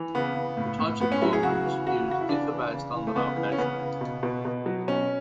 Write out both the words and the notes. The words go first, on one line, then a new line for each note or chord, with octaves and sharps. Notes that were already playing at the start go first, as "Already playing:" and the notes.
The types of cormorants used differ based on the location.
Already playing: E3
C#3 B3
C#3
A2
A2
A2 B3
C#4
F#3 E4
G#4
C#3 F#4
E3
C#3 F#4
C#3 F#4
E4
E3 D4
E3
C#3
E3
A3
C#3 B3
E3
C#4
C#3 B3
C#3
B2
B2
B2
F#3
B2 C#4